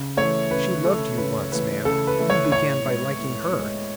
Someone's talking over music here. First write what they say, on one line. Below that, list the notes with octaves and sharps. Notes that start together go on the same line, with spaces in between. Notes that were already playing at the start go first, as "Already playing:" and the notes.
She loved you once, ma'am; you began by liking her.
Already playing: C#3
E3 A3 C#5
C#3 B4
E3 A3 A4
C#3 B4
E3 A3 B4
C#3 A4
B4
E3 A3
C#5
A2 C#5
G#3 B3
A2
G#3 B3